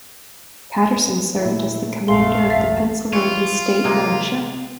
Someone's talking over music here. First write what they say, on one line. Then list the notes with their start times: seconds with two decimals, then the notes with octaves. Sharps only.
Patterson served as the Commander of the Pennsylvania State militia.
1.38 A#2 A3 E4
2.08 A#1 F#2 A3 C4 F5 C6
2.50 E2 G2 E5 A6
3.13 E3 F4 C#5
3.84 C3 G#3 A#3